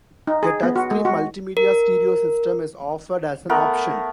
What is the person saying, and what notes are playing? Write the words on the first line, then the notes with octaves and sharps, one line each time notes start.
A touchscreen multimedia stereo system is offered as an option.
D#4
G#4
B3
F#4
G#3
F#4
A#4
A3 B3 A#4 B4